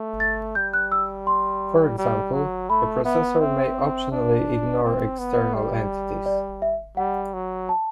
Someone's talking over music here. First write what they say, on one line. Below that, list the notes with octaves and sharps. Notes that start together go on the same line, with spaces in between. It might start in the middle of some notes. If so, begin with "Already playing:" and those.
For example, a processor may optionally ignore external entities.
Already playing: A3
A6
G3 G6
F#6
E6
C6
G3
F#3
A3 B5
B3 E5
C4 E5
D4
C4
B3
G3
D5
E5
G3 F#5
F#3
A5